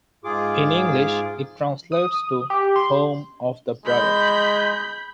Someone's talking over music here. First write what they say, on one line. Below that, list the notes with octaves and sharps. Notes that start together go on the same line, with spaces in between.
In English, it translates to "Home of the Brother".
G#2 F4 G#4 D6
D#6
G4
C6
G#3 B5 G6